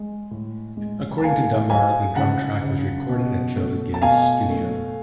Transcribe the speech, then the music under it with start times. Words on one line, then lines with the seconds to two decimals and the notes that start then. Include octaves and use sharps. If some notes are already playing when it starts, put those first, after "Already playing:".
According to Dunbar, the drum track was recorded at Joe Gibbs studio.
Already playing: G#3
0.31 A2
0.77 G#3
1.18 A5
1.24 A3 F5 G#5
1.70 F#3 F5 G#5
2.16 C#3 F#5 A5
2.64 C#3
3.09 B2
3.56 A3
3.94 A5
4.02 B2 F5 G#5
4.49 A3